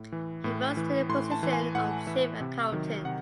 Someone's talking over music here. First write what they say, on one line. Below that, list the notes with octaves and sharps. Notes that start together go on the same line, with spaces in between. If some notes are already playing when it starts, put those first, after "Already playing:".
He rose to the position of chief accountant.
Already playing: A2
E3
A2
E3
A2 C6
A5
E3
G#5
A2 F#5
E3 E5
C3
D#3 F#3
C3 F#5